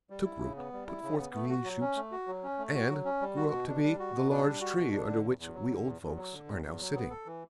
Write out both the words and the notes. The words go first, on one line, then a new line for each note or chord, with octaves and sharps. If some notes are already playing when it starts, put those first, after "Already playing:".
It took root, put forth green shoots, and grew up to be the large tree under which we old folks are now sitting.'
G3
E4
C#3
B3
G3
E4
C#3
B3
A3
F#4
F#3
C#4
A3
F#4
F#3
C#4
A3
F#4
F#3
C#4
G3
F#4
B2
D4
G3
F#4
B2
D4
G3
F#4
B2
D4
D3
E2
E2
F#3
D3
E2
E2
F#3
D3
E2
E2
F#3
B3
A4
E3